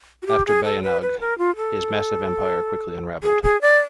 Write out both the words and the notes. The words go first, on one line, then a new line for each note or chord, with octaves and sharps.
After Bayinnaung, his massive empire quickly unraveled.
F#4
G4
G#4
A4
B4
B4
A#4
F4
A4
G#4
G#4
D5